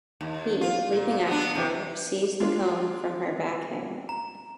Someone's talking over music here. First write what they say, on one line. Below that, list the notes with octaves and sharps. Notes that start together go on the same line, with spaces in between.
He, leaping after her, seized the comb from her back hair.
D#2
F4
A#2
B3 D4
E2 C3
G#3 D4 F4
A#5